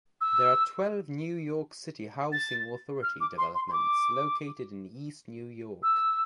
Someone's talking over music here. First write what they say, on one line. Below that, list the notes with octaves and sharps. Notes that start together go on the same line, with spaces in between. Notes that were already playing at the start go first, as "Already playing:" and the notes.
There are twelve New York City Housing Authority developments located in East New York.
E6
A6
F6
D6
C6
C6
C6
D6
E6